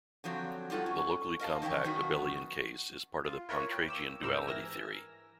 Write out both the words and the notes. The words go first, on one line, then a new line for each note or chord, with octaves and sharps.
The locally compact abelian case is part of the Pontryagin duality theory.
D3 F3 F#3 C4
F#3 G3 F4 A4 F#5
C#4
A#4 D#5 F5 A5
D#3 E3 C#4 A#4 G5
F#2 B2 D#3 B3 F#4
F4
E4 F4 A#4 B4 C#5
G5
D6 E6
G1 G#2 G4 A#4 E6
E3 A#4 G#5 E6 A#6